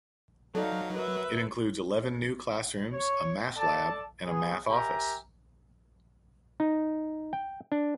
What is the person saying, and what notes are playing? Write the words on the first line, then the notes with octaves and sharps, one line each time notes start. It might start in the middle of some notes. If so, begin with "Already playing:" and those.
It includes eleven new classrooms, a math lab, and a math office.
F#3 D#4 A4 B4 D5 F5
F#4 A#4 B4 E5
C#5
A4 D5 A5
B3 G#4
G4 A#4 E5 G#5 A#5
D#4
G5
D4